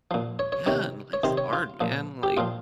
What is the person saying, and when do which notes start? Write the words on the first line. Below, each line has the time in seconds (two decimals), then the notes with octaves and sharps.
Yeah, and life's hard, man, like,
0.11 A#2 F3
0.39 C#5
0.52 C#5
0.66 C3 D#3 C#5
1.13 C#5
1.24 C3 D#3 C5
1.38 C#5
1.53 F4
1.80 A#2 F3
2.23 G4
2.37 A#2 F3 F4